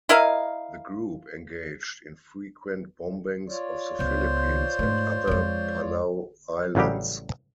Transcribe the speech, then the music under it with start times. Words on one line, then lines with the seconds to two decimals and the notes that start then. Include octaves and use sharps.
The group engaged in frequent bombings of the Philippines and other Palau Islands.
0.09 E4 A#4 D#5 F5
3.48 F4 C#5 D5
3.99 C#2 B3 C5
4.79 G#2 A3
5.27 F2 G#3
6.75 A1 C#3 F#3 G3 G4